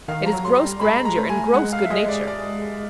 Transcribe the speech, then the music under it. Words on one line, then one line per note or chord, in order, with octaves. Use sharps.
It is gross grandeur and gross good-nature.
D#3 F5
F3 A#5
F#3
C6
G3
G#3 B5
A#5
A3
G#5
G#3 F#5
F5
E5
G#3 D#5
D5
D5